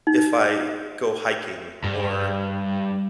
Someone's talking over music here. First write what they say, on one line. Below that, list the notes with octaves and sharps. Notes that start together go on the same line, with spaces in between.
if I go hiking or,
D#4
G2